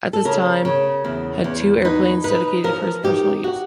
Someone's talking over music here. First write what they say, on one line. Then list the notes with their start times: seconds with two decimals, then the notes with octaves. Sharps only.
At this time had two airplanes dedicated for his personal use.
0.13 A4
0.25 C#3 A#4
0.65 C#3
1.05 E2
1.44 E2
1.85 D#4 B4
2.24 D#4 B4
2.64 F3 A#4
3.04 D#4 G4
3.44 F#4